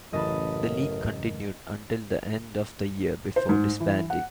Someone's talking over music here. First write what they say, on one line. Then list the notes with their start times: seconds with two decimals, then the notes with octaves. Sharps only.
The league continued until the end of the year before disbanding.
0.13 A1 F#2 C#3 E3 A#4 D#5 A5 B5
3.36 C5
3.49 G#2
3.80 E3
4.10 F#5